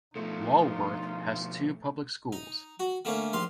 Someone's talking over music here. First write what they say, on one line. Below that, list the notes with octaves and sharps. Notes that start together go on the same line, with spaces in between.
Walworth has two public schools.
B2 F3 A3 D#4 F4
D#4
F#4
D3 A3 A#3 C#4
A#1 D#2 F5 C6